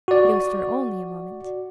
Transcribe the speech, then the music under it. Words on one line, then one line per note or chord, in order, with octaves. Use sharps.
But it was for only a moment.
F#4 D5